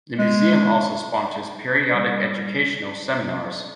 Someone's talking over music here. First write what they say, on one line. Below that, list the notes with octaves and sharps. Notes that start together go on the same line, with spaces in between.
The museum also sponsors periodic educational seminars.
G#3
G3